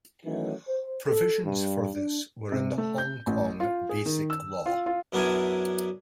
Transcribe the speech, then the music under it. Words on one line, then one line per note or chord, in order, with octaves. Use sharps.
Provisions for this were in the Hong Kong Basic Law.
D#3 E3 F#3 A3 C#4 D#4
C5
A4
G2
D4
C3
A3
G6
A1
F4
G#4
D#3
E6
F4
F4
F#2 B3 D4 E4 A#4 G#5